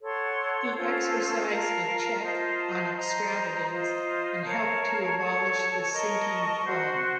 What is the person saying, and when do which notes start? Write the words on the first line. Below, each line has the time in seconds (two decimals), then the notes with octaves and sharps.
He exercised a check on extravagance, and helped to abolish the sinking fund.
0.01 A4 C#5 F#5 C6
0.74 C#4 F4 A4 C5
1.49 F4 A#4 F5 A5
2.23 F4 C5 D#5 A5
2.96 C5 D#5 A#5
3.70 F4 C5 D#5
4.43 A#4 C#5 F5 A5
5.18 A4 C#5 A5
5.91 A#4 D#5 A5 C#6
6.65 F#4 C5 F#5 C6